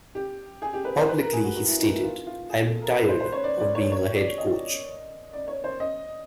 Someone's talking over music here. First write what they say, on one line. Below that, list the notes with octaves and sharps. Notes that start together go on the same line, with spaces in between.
Publicly he stated, I'm tired of being a head coach.
G4
G#4
G4
B4
C5
B4
A#4
G#4
F#4
F#4
E4
D#4
E4
F4
F4
G#4
A4
A#4
B4
C5
C5
C#5
D5
D5
C#5
C#5
D5
D#5
D5
C#5
C5
D#5